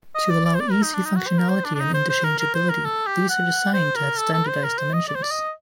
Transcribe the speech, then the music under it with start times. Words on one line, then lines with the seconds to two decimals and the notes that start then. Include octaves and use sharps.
To allow easy functionality and inter-changeability, these are designed to have standardised dimensions.
0.15 D#5
0.30 D5
0.45 D5
0.55 C5
0.60 D5
0.71 A#4
0.83 D#4
0.94 D4
1.05 D#4
1.16 F#4
1.27 C5
1.38 A#4
1.49 C5
1.65 D4
1.75 D4
1.80 D#4
1.94 C5
2.10 C5
2.24 A#4
2.39 A#4
2.54 C5
2.69 A#4
2.85 A4
3.07 G4
3.29 F#5
3.74 C5
3.96 A#4
4.18 A4
4.33 A4
4.48 C5
4.64 A#4
4.78 C5
4.93 D#5
5.08 D5
5.15 C5
5.23 D5
5.31 D#5